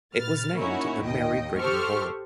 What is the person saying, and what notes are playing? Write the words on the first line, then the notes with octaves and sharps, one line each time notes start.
It was named The Mary Brigham Hall.
A#2 B4 F6 A6
A#3 C#4 D#4 E4 F#4 C#5
A1 D#2 D#5 G5
G4 A4 C5 C#6 F6